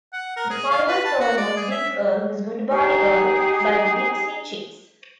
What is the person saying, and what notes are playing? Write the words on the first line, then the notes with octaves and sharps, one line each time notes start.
The final song on "Big Earl" was "Goodbye Earl" by the Dixie Chicks.
F#5
A#4
G#4
F5
B4
A5
F#4
D5
G#4
E5
D#4 G4 G#4